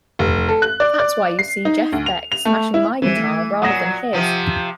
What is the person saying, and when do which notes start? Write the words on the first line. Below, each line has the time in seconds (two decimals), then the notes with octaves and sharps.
That's why you see Jeff Beck smashing my guitar rather than his!
0.19 F1
0.49 A4
0.62 F#6
0.80 D5
1.00 D5
1.39 C7
1.65 D#4
1.92 D2
2.06 F7
2.32 F7
2.45 A3
2.74 E4
3.02 E3 G3 C4
3.16 A3
3.62 A#2 F#3 F#5 D#6 A#6
4.13 C3 F3